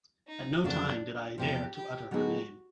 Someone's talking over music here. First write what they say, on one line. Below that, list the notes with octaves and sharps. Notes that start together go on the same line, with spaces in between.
At no time did I dare to utter her name.
D#4
F2 C#3 F#3 A#3 D4
E2 C3 F3 G4
G4
D3 F#3 B3 D#4 F#4 G#4